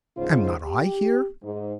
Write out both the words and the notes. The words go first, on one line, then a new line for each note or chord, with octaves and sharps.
"Am not I here?"
D#2 G#2 C#3 F4 C5
G4
G#2